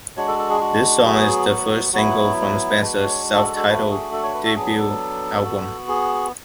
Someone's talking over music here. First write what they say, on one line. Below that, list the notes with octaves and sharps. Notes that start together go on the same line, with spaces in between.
This song is the first single from Spencer's self-titled debut album.
G#3 D4 F#4 C#5
A4
A4
G#4
F#4
F#3 B3 F#4 G#4
F#4
F#3 B3 E4 F#4
G#3 D4 F#4 B4
C#5
A4
A4
A4
A3 D4 F#4 B4
G#4
A4
C#5
B4
A4
F#3 B3 D4 G#4
A4
B3 F#4
G#4